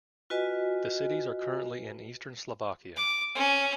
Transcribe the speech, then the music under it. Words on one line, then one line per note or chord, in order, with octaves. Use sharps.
The cities are currently in eastern Slovakia.
F4 F#4 B4 D#5 G#5
D6
C#4